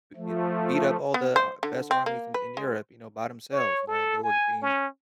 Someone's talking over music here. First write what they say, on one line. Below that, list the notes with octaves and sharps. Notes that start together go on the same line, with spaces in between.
i en beat up all the best armies in in Europe, you know, by themselves, you know, and they were being,
F3 A3
B3
C5
D3
C4
A#3
B4
G#3
C#5
A4
G#5
C#4